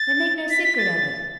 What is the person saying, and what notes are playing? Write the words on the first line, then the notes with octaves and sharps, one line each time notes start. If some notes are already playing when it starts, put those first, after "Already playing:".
They make no secret of it.
Already playing: A6
B6
B6
A6